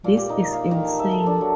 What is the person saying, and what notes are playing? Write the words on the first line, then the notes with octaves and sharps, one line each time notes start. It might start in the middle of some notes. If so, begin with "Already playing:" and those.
This is insane.
A#2
G4
D#4
F5
D#3
A5
E5
A4
D4
F#3